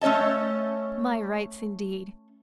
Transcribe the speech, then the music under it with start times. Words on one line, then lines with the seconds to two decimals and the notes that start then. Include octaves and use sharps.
"My rights, indeed!"
0.01 A3 C#4 C#5 D#5 A5